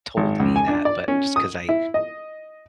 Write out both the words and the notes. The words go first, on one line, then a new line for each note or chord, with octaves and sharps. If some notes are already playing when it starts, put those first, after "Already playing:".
told me that, but just 'cause I
G#1
C#2
G#5
D4
D5
C#4
D#6
E4
D#5